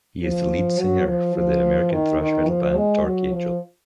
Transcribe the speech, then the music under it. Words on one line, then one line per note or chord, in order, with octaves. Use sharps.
He is the lead singer for the American thrash metal band Dark Angel.
F3
F#3
F3
F3
D#3
D#3
F3
G#3
F#3
F3